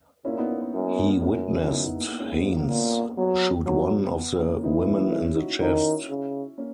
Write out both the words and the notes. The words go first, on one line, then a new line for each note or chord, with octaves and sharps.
He witnessed Haynes shoot one of the women in the chest.
A#2 C#4 E4
B3 D#4
A#3
B3
F#2 A#3
B3
A#3 C#4
F#2 B3
E4
B3 D#4
B3 D#4
A#3
B3
G#2 A#3 C#4
B3
A#3
A#3
A#2 B3
F#3 B3
F#3 B3
B3
A#3 C#4
E3 B3 D#4
A#3 C#4
C#4 E4
D#4 F#4
D#3 C#4 E4
C#3
A#3 C#4